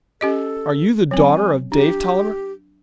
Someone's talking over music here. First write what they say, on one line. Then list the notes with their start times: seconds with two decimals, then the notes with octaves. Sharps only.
"Are you the daughter of Dave Tolliver?"
0.21 C#4 G4 A4 D#5
1.11 F#3 C4 G#5
1.72 D4 G4